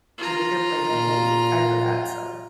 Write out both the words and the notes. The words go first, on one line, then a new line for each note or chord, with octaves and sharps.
you make an appointment and make time for that. So
F4 A#5
A#2